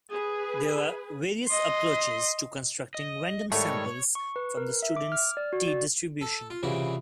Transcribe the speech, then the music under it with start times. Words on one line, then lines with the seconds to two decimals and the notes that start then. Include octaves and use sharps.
There are various approaches to constructing random samples from the Student's "t"-distribution.
0.11 G#4 B4
1.48 D#5 C6
2.95 D#5
3.52 G#2 D#3 G3 A3 A4 C#5
4.15 C#6
4.36 B4
4.57 A#4
4.82 E5
4.96 D6
5.12 F6
5.37 D5
5.53 F#4
5.68 D5
6.21 A4 A5
6.50 F4
6.63 C2 A#2 C#3 E3 F#4